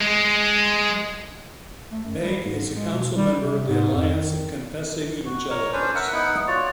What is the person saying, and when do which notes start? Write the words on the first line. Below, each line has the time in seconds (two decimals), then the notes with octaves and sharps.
Begg is a Council member of the Alliance of Confessing Evangelicals.
0.01 G#3
1.92 A3
2.05 F#2
2.21 G3
2.45 G#2
2.74 G#3
2.92 B2
3.15 G3
3.40 C3
3.68 G#2
3.91 F2
4.17 D#3
5.25 F#4
5.50 A#4 C#5
5.73 C#4 D4 B4 C5
5.95 A#4 E5 F#5
6.12 B3 D#4 E4 F#5
6.48 F4 F#4 C#5 D5